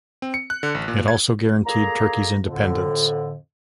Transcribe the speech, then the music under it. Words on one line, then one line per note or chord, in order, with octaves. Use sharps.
It also guaranteed Turkey's independence.
C4
C#7
F#6
D3
A1
A#2
G#6
A#2 A#3 G#4 A4 A#5
F2 A2 D3